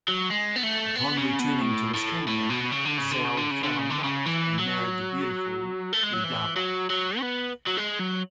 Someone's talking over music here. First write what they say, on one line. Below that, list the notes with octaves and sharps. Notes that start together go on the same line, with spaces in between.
Upon returning to his kingdom, Zal fell in love and married the beautiful Rudaba.
F#3
G#3
B3
A3
B3
C#3
B2
A2
A2
A2
B2
C#3
D3
C#3
D3
C#3
D3
C#3
D3
C#3
D3
C#3
E3
F#3
A3
G#3
F#3
E3
F#3
F#3
C#4
B3
F#3
G#3
F#3